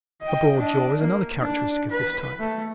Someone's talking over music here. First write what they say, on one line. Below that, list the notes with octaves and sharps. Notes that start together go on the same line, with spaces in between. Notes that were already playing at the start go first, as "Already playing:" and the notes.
A broad jaw is another characteristic of this type.
D#5 G5
D4 D#5
A#3
D4
B4
A3